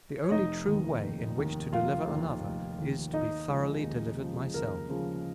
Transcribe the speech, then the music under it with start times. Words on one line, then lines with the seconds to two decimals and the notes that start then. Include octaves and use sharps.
The only true way in which to deliver another is to be thoroughly delivered myself.
0.24 C#5
0.31 F1 D#4 D#5
0.66 D#2 D#3
1.02 F1
1.38 D#2 D#3
1.72 F1 F4 F5
2.08 D#2 D#3
2.43 F1
2.78 D#2 D#3
3.13 D#2 D#4 D#5
3.49 C#3 F3 G#3
3.83 D#2
4.19 C#3 F3 G#3
4.54 D#2 A#4
4.89 C#3 F3 G#3